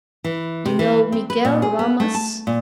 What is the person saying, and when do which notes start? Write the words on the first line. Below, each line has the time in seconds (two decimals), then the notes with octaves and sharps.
You know Miguel Ramas?
0.24 E3
0.65 C3
0.79 E3
1.12 C4
1.30 B4
1.45 A#2
1.62 G#4
1.79 B3
2.00 A3
2.14 A5
2.47 A#2